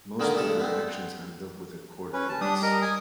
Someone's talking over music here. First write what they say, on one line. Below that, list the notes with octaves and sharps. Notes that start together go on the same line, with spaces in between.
Most of their actions end up with a court appearance.
D3 D#3 A#3 B3 G#4 A#4
G2 G#3 A4
B3 C4
C#4 B4
A5
G3 D4 D#6
A#4 D#5
G#5 D#6